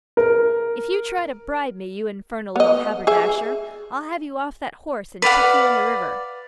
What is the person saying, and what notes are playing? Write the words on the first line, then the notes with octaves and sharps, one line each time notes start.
'If you try to bribe me, you infernal little haberdasher, I'll have you off that horse and chuck you in the river.'
A#4
B3 D#5
G#4 E5
B4 D5 F5 F#5